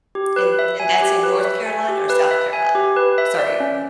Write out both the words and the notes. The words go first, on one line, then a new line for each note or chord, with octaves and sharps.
And and that's in North Carolina or South Carolina? Sorry, wh
G4
B4
E5
G#5
G4
B4
E5
G#5
G4
B4
E5
G#5
G4
B4
E5
D5
C#4